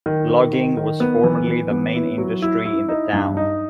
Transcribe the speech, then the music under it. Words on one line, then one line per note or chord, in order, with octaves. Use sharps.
Logging was formerly the main industry in the town.
D#3
D#3
D#3
D#3
B3
E3
E3
B3
E4
F#3
E4
E4
D#4
G2
D#4